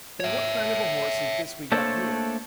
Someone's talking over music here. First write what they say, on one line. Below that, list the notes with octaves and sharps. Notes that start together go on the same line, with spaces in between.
Well, what kind of a horse is this we got here?
C#5 E5
A3 A#3 D4 A4 C5 C#5